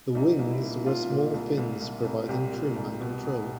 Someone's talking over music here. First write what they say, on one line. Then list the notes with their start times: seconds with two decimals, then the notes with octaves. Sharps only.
The "wings" were small fins providing trim and control.
0.15 C2 D#4
0.39 C2
0.50 E4
0.62 A#2
0.86 A#2 F4
1.10 A#2
1.34 C2
1.57 C2
1.81 C2
2.05 C2
2.28 C2 G4
2.52 A#2
2.76 C2
3.00 B2
3.23 B2